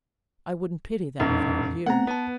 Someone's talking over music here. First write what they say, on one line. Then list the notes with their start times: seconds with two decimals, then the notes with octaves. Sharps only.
I wouldn't pity them if I were you.
1.20 E1 B1 F2 A#2 C#4
1.86 A3 B3 C4 F#5 A#5
2.07 B3 B4 A5